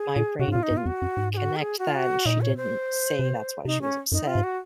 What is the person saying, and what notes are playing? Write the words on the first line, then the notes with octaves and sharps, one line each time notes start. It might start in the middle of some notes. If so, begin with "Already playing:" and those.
my brain didn't connect that, and she didn't say that's why she was upset,
Already playing: G#4
A#2
C3 F#4
G#2
A#2 F4
D#4
G#2
F4
F2 F#4
F#2
G#2
G#4
F#4
A#4
G#4
F#4
F4
F#4
A#2 D#4
C#5
C5
C3
C3 D#4
C#4
F#2 D#4
F4
G#2
F#4